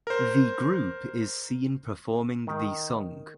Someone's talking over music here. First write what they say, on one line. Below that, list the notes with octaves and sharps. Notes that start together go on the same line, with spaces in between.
The group is seen performing the song.
A#4 C5
D#3